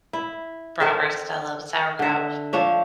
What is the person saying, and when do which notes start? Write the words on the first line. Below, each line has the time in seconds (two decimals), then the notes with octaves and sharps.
bratwurst. I love sauerkraut.
0.13 E4
0.80 C4 A4 A#4 C5
1.99 D3 E5
2.53 F3 D4 C#5 E5